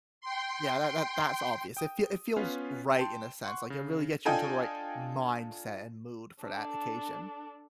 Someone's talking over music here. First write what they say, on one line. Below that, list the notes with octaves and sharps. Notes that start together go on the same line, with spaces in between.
Yeah, that that that's obvious. It fee it feels right in a sense, like, it really gets you into the right mindset and mood for that occasion.
G5 C6
G5 D#6
B3 C#4 F4 B4 F5
G5 A5 C6
F#5 C6 C#6
C#3
D4 F4 A4 D#5 G5 G#5
D4 A4